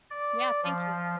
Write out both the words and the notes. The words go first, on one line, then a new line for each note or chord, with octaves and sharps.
Yeah, thank you.
D5
F3